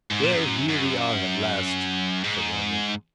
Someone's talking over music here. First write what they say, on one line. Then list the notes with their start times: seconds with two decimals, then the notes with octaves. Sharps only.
"Well, here we are at last," said one of them.
0.12 G#2
0.22 A#2
0.32 F#2
0.69 F#2
2.24 G#2